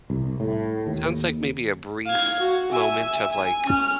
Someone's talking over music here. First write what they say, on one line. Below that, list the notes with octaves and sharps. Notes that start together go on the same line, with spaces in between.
Sounds like maybe a brief moment of, like,
C2
A2
D#2
F5 G#6
F#4
E5 G#5
G#5
C#4 F6